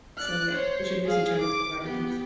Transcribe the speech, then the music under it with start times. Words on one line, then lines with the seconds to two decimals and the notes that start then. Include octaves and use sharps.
So, yeah, introduce each other to a lotta things.
0.17 D5 F#6
0.51 C5 C#5
1.05 G#4 F5
1.40 D6
1.81 B3 G4